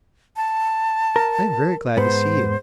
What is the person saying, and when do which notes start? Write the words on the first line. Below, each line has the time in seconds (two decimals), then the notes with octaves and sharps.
"I am very glad to see you."
0.36 A5
1.16 A#4
1.97 G#2 B3 C5